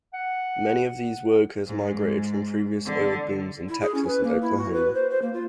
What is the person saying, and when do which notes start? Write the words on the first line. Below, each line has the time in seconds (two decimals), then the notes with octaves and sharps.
Many of these workers migrated from previous oil booms in Texas and Oklahoma.
0.13 F#5
1.67 G#2
2.86 D3
3.69 E4
3.81 G#4
3.95 C#4
4.07 B4
4.24 A#3
4.42 E4
4.57 F#4
4.73 B4
4.94 C5
5.10 C5
5.22 A#3
5.33 F4